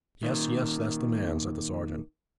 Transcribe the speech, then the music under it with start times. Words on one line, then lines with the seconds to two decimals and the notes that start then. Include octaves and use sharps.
'Yes, yes; that's the man,' said the sergeant.
0.23 A#2 D#3